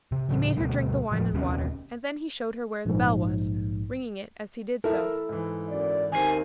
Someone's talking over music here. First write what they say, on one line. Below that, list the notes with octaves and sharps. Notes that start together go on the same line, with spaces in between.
He made her drink the wine and water, and then he showed her where the bell was, ringing it as he did so.
C3
A2 C#3 F#3 G3
D2 B2 G3
F1 A2 F3 G#3
D#1 D#2 C3 C#4
A#1 G#2
E4 A4 A#4 E5
G#2 E3
F#2 D5
D#2 D#3 C4 G#5 C7